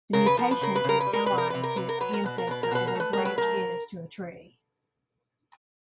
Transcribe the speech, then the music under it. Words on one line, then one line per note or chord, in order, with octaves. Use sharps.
The mutation is allied to its ancestor as a branch is to a tree.
C#3 A#4
B4
F3 A#4
B4
C#3 A#4
B4
C#3 A#4
B4
G3
A#4
C3 B4
A#4
C3 B4
A#4
C3 B4
A#4
F#3 B4
A#4
B2 B4
A#4
B2 B4
A#4
B2 B4
A#4
A3
B4
F#3 A#4
B4
A3 A#4